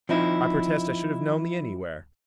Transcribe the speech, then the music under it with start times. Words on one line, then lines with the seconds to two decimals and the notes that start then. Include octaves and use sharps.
I protest I should have known thee anywhere.
0.09 F3 C4 D#4 E4